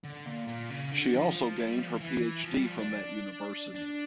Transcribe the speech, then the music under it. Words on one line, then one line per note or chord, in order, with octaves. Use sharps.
She also gained her PhD from that University.
D3
A#2
A#2
C#3
D3
F3
F3
A3
G3
F3
E3
E3
F3
G3
F3
D4
D4